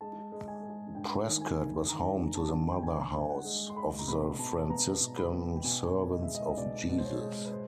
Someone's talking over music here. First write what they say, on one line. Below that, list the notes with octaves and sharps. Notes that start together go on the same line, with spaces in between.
Prescott was home to the mother house of the Franciscan Servants of Jesus.
G#3 A5
G#3
G#5
G#3
G2 G5
D#3
G#5
D#3
D#3 A#5
G2
A5
G2
G5
G2 G#5
G2
F#5
G#3
C6
G#3 B5
A#5
B2 B5
B2 A5
B3 A#5
B2
B5
B3
G5
B2 G#5
B3
D#5
G#3 E5
D#5
B2 D5
B2
C5
C#5
G#3
B4
C5